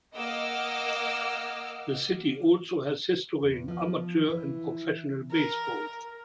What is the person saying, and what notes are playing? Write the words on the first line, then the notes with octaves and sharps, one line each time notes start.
The city also has history in amateur and professional baseball.
A#3 D#5 F#5 D6 E6 F6
E2
F3
E3
A#4